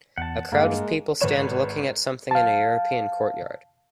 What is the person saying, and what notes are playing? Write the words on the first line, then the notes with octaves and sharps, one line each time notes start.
A crowd of people stand looking at something in a European courtyard.
E2 F#5 A5
G2 G#3 A#3
G#1 B4 C#5 E7
F5 A5